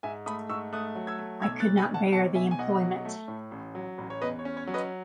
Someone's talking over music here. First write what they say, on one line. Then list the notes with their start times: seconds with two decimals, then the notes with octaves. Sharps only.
I could not bear the employment.
0.03 G#2 E5 G#5
0.26 A3 B5 D#6
0.49 G#2 C#6 E6
0.73 A3 D#6 F#6
0.95 F#3
1.07 E6 G#6
1.19 A3
1.42 B1 E6 G#6
1.60 F#6 A6
1.65 B1
1.77 G#5 B5
1.89 B1
1.94 F#5 A5
2.12 B1 F#5 A5
2.35 B2 E5 G#5
2.51 G#5
2.59 B1 D#5 F#5
2.82 F#3
3.05 A3
3.28 A2
3.51 A1
3.75 F#3
3.98 A1
4.10 C#5
4.21 E2 B4 D#5
4.39 C#5
4.45 C#4
4.57 C#5
4.67 F#3
4.74 B4 D#5